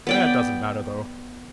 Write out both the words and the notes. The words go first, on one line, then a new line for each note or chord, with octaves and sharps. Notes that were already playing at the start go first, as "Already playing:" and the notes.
It doesn't matter, though.
B3 D5 G5